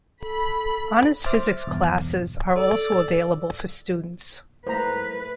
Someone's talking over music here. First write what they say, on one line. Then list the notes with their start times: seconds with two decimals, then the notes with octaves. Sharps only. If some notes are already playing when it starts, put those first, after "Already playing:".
Honors Physics classes are also available for students.
0.21 A4 B5
1.26 C5 E5 D6 F6 A6
1.67 B1 E2 G2
2.56 A4 D5 E6
4.67 A3 A#3 E4 B4 C5 A#5